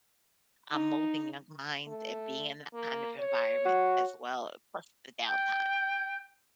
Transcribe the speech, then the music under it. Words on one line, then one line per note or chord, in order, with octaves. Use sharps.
um, molding young minds and being in that kind of environment as well plus the downtime.
D#4
A3
A#3
C#5
F#4
G5 G6